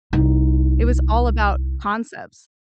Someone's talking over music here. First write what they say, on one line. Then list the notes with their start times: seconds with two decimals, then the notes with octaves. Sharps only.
It was all about concepts
0.13 C2 D#4